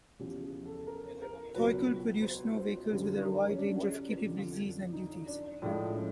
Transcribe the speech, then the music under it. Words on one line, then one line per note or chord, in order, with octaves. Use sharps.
Thiokol produced snow vehicles with a wide range of capabilities and duties.
E2 C#3 F3 G4
G#4
A4
A#4
A#4
C#2 B2 F#3 B4
C5
C5
F#2 D3 G3 G4
C#4
D4
F2 D3 F3
D#4
D4
A2 F3 G#3 D4
C#4